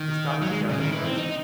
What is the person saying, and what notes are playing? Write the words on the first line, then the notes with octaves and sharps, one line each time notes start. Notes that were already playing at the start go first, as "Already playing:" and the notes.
He stopped to gather words.
Already playing: D#3
F#3
G#3
C#3
D#3
E3
C4
D#4